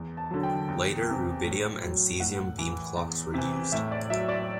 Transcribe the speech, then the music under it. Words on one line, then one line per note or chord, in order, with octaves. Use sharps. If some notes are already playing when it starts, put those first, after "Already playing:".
Later rubidium and cesium beam clocks were used.
Already playing: E2
A5
D3 F#3
G5
E2
C3 E3
A2
F#3
A2 F#5
E3
E2
C3 E3
A2 E5
D5
F#3 E5
D5